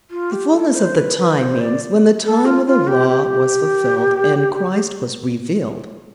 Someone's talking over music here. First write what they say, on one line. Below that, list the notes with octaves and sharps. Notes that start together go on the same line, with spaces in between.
"The fullness of the time" means when the time of the Law was fulfilled and Christ was revealed.
F4
G4
A4
C5
B4
B4
C5
D5
A4
F4
F4
G4
G4